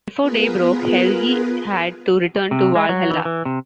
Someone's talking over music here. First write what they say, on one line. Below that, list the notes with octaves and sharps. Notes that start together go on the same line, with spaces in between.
Before day broke, Helgi had to return to Valhalla.
B3 F4 G#4 A#4 B4
C3
G#3
F#3
E3
E3
C3